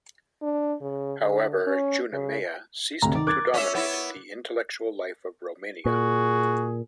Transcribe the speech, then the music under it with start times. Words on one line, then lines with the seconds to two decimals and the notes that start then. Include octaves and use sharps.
However, "Junimea" ceased to dominate the intellectual life of Romania.
0.42 D4
0.81 C#3
1.22 D3
1.67 C#4
2.13 C#3
3.02 D2 C3 A#5
3.15 D#3 D5
3.27 A#4 D6 F#6 G#6 A6
3.54 C#4 E5
3.75 B3 E4
5.86 A#2 F#4 G#4